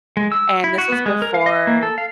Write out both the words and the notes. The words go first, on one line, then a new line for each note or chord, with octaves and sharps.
And this was before,
G#3
E6
E4
F#4
B3
G#3
A#4
F5
D#5
A#3
A4
F5